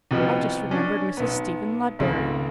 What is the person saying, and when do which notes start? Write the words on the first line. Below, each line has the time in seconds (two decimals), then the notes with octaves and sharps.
I’ve just remembered Mrs. Stephen Ludberry.
0.11 C2 B2 F3 B3
0.71 C#4 D4
1.17 B1 B3
1.99 G#1 C#2 A3